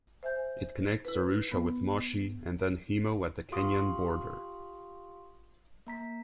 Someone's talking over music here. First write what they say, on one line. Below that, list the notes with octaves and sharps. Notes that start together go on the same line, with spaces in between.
It connects Arusha with Moshi and then Himo at the Kenyan border.
C5 E5 G#5 G6
E4 B4
B3
F4 G4 F5 C6 C#6 D#6
A#3 A#5 B6